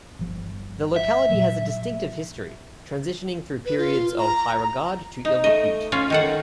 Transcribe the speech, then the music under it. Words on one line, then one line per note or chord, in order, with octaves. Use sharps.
The locality has a distinctive history, transitioning through periods of high regard to ill-repute.
G1 F3
E5
A#2 F3 F#3
B4
F4
A#5
D#4
A3 D#5
C#4 F4 C#5 F5
D#3 A4 F#5